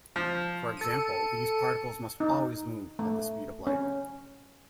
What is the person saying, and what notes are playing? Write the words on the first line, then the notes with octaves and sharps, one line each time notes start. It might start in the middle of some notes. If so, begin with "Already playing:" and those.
For example, these particles must always move at the speed of light.
F3
A4 C#7 D#7
D#4
A3
C#4